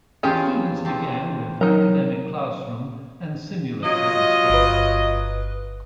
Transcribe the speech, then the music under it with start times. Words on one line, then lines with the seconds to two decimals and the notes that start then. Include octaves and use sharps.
Students began with academic classroom and simulator instruction.
0.23 E2 C#4 F4 G4 G#4 G#5
0.85 E2 C4 A5
1.61 F#3 D#4 A#4 A#5
3.84 F#3 F4 D#5
4.50 G1 B4